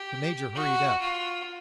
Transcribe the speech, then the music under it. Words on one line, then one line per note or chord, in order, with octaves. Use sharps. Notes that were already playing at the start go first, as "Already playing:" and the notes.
The major hurried up.
Already playing: G4
F#4
F4